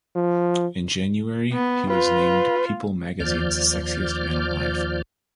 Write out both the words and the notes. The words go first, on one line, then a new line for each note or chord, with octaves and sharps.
In January, he was named "People" magazine's Sexiest Man Alive.
F3
B3
F4 B4
D#2 F3 D5 F6 G6